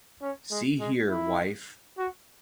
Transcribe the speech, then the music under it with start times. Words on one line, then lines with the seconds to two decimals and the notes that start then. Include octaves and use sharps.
See here, wife!
0.22 C#4
0.51 G#3
0.80 G#3
1.10 E4
1.98 F#4